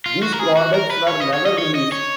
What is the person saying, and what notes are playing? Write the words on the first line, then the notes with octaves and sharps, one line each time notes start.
These products were never released.
F4
F#4
A#4
G#4
F#4
A#4
B4
C#5
D#5
C#5
D#5
C#5
D#5
C#5